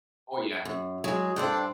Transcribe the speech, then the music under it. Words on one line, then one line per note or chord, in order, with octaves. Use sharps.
Oh, yeah.
F#2
F#3 G#3 G#4
G2 D4 A4 C5 D5 G5